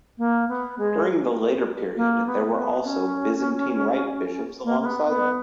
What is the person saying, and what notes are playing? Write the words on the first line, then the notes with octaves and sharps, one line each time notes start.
During the later period there were also Byzantine rite bishops alongside them.
A#3
B3
G#3
A#3
B3
B3
C#4
A#3
A#3
B3
B3